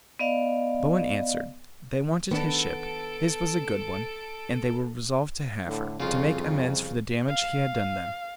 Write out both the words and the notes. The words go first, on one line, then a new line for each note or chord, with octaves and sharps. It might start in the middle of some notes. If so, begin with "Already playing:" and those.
Bowen answered, "they wanted his ship, his was a good one, and they were resolved to have her, to make amends for the damage he had done them."
B3 D5 D#5 F5
D#3 B3 D4 A4 A5 D7
A2 D3
C2 F2 C#3 F4
F5